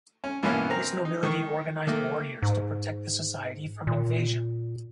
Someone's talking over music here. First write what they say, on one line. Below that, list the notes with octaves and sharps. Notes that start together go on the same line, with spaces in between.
This nobility organized warriors to protect the society from invasion.
C#4
G2 B2 E3 A#3 B3 C#4
C4 A#4 A#5
D#4
D#3 C#6
D#3 A3 A#3
G#2
A#2